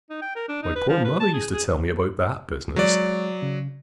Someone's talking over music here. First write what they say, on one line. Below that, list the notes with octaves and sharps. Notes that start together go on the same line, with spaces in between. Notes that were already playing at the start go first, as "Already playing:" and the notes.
My poor mother used to tell me about that business.
D#4
G5
A#4
D4
D#4
B4
F3
B4
A5
G#4
G#4
F#3 G#3 C#5 D5
C#3